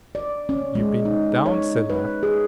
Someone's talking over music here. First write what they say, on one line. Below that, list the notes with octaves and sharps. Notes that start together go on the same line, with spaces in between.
"You been down cellar?"
D5
C#4
G#3
D#4
C#5
B4
G#4